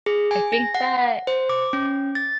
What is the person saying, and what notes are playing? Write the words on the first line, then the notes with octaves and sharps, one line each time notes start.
I think that
G#4
G#5
A#6
F#5
C5
D6
C#4
A6